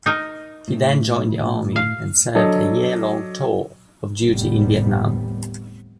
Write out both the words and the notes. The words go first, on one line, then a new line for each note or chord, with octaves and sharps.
He then joined the army and served a year-long tour of duty in Vietnam.
D#4 A#4
A2
F5
F#3 D4 A4 D#5
F1 D#2 A2 C3 G3 B3